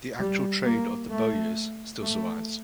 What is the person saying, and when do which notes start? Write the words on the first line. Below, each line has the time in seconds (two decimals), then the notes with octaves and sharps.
The actual trade of the bowyers still survives.
0.20 G3
0.65 A#3
1.10 A3
2.02 A3